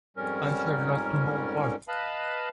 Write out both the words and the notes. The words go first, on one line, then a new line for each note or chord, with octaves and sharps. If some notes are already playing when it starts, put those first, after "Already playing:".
I should like to know what?
F2 G#2 G3 C#4 A#4
B4 D#5 F5 A5 B5